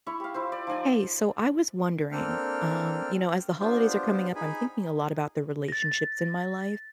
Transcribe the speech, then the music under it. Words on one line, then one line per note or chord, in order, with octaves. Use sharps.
Hey, so I was wondering, um, you know, as the holidays are coming up, I'm thinking a lot about the relationships in my life,
E4 C#5 B5 C#6
G4 F5
E4 F4 C5
D5
F3 D#4 D5 G#5
A#3 C4 D4 A4 G5 F6
B3 D4 F4 G4 C5
D#4 G#4 G#5 B5
A6 A#6